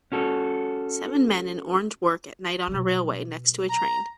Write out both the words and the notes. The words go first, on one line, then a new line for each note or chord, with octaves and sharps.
Seven men in orange work at night on a railway, next to a train.
C#4 F#4 A4
B2 F#3
A#5